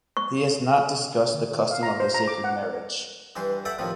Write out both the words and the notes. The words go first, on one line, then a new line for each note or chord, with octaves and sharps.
He has not discussed the custom of the sacred marriage.
C#6
F5
A#5
C5
A#5
D6
F#5
G2 E3 C5 C6
A4 D5 E5 F#5 G5 A5
A2 C3 D#3 F3